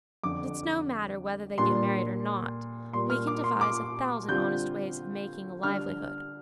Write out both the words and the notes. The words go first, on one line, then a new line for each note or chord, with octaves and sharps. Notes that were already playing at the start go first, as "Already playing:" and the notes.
But it's no matter whether they get married or not: we can devise a thousand honest ways of making a livelihood.
F2 D3 F3 D6
A#2 G3 D4 C6
A#2 G3 A#3 C6
F6
D6
C6
D6
D3 G3 C4 F4 G6
D3 G3 D4 F6